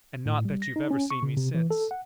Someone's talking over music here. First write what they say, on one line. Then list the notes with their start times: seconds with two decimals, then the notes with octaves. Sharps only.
"And not that you've ever seen me since?"
0.26 A2
0.45 G3
0.62 A#6
0.76 D#4
0.91 C#4
1.10 C#6
1.23 C#3
1.37 C3
1.54 E3
1.71 A4
1.91 F#5